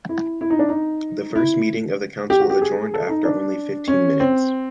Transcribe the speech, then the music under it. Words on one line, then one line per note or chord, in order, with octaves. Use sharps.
The first meeting of the Council adjourned after only fifteen minutes.
E4
E4
D#4
D4
D#4
E4
G4
F#4
G4
G#4
A4
D#4
D4
C#4
C4